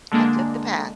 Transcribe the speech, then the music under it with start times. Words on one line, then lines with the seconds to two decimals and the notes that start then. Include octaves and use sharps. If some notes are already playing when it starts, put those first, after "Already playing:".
I took the path
0.12 D3 G#3 A#3 D4